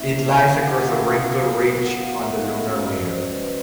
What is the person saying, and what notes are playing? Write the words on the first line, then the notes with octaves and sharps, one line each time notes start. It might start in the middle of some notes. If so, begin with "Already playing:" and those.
It lies across a wrinkle ridge on the lunar mare.
Already playing: A#3 C#4 E4 E5
F5
F#5
F5
F5
F#3 B3 E4
F#5
F5
F5
E5
D#5
G#3 C#4 F#4 D5
D#5
D5
C5
B4